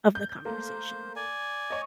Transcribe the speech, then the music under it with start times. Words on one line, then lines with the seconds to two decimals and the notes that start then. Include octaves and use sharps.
of the conversation.
0.15 G6
0.45 A3 A#3 C5
1.16 D5 G#5
1.70 C#5 D#5